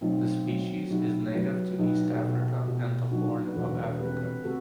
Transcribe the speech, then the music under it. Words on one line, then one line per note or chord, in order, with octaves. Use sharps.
The species is native to East Africa and the Horn of Africa.
B1 A3 C4
F#3
F#4
B1 E4 G4
F#3 G4 B4
B1 G4 B4
E4
F#4
G4
B2 F#4 A4
B2 E4 G4
B1 D4 F#4
B4
E1 F#4 A4
C3 G4 B4
C3 F#4 A4